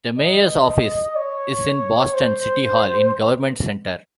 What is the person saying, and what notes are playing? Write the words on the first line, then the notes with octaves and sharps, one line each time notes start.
The mayor's office is in Boston City Hall, in Government Center.
D#5
C#5
C5